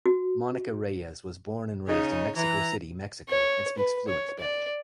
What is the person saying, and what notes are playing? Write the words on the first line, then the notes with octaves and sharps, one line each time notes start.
Monica Reyes was born and raised in Mexico City, Mexico, and speaks fluent Spanish.
F#4
C#3 D#4 C#5
E3 A#5
C#5
B4
C#5
D5